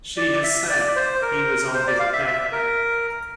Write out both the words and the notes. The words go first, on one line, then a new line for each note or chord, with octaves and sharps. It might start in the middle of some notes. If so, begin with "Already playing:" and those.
She has said, He was on his deathbed.
D5
E5
D5
C5
A#4
C5
D5
F5
E5
E5
A#4